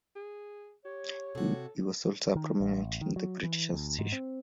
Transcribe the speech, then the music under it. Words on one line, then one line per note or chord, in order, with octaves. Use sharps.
He was also prominent in the British Association.
G#4
G4 C#5
C3 F#4 A4
D#3
A1
D#3
F#3
E3
D2
G#2
C4